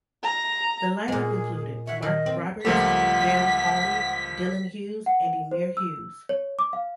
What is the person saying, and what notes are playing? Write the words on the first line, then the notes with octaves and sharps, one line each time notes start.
The line-up included Mark Roberts, Barry Cawley, Dylan Hughes and Emyr Hughes.
A#5
A#2 G#3 G#4
C#5 E5 F#5
D#3 D#5
C4
C#2 F3 G3 A3 A#3 F4 F#5 B6
F#5
C5
E6
C#5
D6
F5